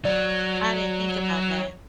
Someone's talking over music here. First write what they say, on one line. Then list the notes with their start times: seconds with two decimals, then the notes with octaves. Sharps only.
I didn't think about that.
0.05 F#3 D5